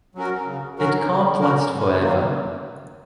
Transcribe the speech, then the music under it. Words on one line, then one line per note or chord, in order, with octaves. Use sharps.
It can't last for ever.
F#3 C#4 F#4 A#4
C#3
F#3 C#4 F#4 A#4
C#3
F#3 C#4 F#4 A#4
G#2
D#3 F#3 A#3